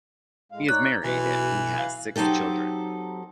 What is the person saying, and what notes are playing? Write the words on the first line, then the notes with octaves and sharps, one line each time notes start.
He is married and he has six children.
A2 G#3 F5
D#4 C#5 D5 F#6
B1 E3 F#4 B4
F5
F#3 C4 D#4 G4 A4